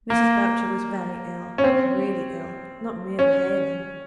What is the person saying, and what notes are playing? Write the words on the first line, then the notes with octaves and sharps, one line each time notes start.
Mrs. Boucher was very ill; really ill--not merely ailing.
A#3
C#4
C4
C#4